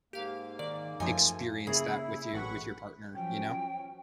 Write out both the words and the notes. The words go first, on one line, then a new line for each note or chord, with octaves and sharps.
experience that with you with your partner, you know? Yeah.
G#2 A#3 G4 F5
D#3 D5
F#2 F3 A3 D#4 G#5
C#3 A#3 E4 G#4
A1 F#3 F#5 B5 C#6
F3 F#3 C#4 G5